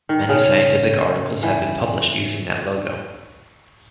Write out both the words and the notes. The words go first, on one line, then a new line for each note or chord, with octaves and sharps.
Many scientific articles have been published using NetLogo.
D#3
C#3
E3